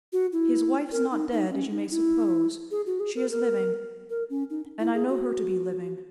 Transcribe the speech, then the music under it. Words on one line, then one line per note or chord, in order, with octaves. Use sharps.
His wife is not dead, as you may suppose; she is living, and I know her to be living.
F#4
E4
A#4
D#4
D#4
C#4
D#4
E4
G#4
F#4
G#4
A#4
A#4
A#4
C#4
D#4
E4
G#4
F#4